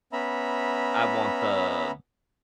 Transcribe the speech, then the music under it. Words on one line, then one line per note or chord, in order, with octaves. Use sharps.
I want the the
B3 C#4 E5 A#5 B5